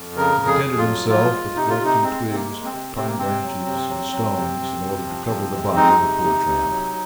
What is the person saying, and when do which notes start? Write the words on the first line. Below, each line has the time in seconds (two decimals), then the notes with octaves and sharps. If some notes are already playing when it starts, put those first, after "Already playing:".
He contented himself with collecting twigs, pine-branches, and stones in order to cover the body of the poor tramp.
Already playing: F2
0.16 C#3 A#4
0.39 F2
0.47 G#4
0.63 F2
0.78 F4
0.86 F#3
1.09 F3 F4
1.33 G#3
1.56 C3 D#4
1.70 F4
1.79 C3 D#4
2.03 G#3 C4
2.26 C3
2.34 A#3
2.50 G#3
2.65 C4
2.72 C3
2.96 C3 C4
3.07 A#3
3.18 C3 C4
3.43 F#3
3.66 C3
3.89 F#3
4.12 F#3
4.37 C3
4.60 C3
4.83 C3
5.06 F3
5.30 C3
5.53 G#3
5.76 G#3 D#4
5.99 C3
6.23 C3
6.47 C3
6.70 F#3